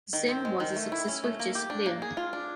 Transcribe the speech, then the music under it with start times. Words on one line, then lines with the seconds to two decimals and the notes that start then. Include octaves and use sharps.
Zinn was a successful chess player.
0.13 D#3
0.29 C4
0.45 G#3
0.60 D#3
0.76 A3
0.92 E4
1.08 C#4
1.24 A3
1.40 A#3
1.55 G4
1.70 D4
1.86 A#3
2.02 G#4
2.17 F4
2.33 D4